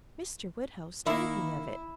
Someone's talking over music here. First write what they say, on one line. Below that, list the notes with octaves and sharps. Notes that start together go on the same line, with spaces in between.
Mr. Woodhouse told me of it.
D#3 A#3 E4